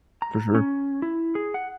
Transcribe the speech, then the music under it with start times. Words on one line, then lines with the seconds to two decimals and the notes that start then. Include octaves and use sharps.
For sure.
0.22 A#5
0.55 C#4
1.02 E4
1.35 G#4
1.54 F#5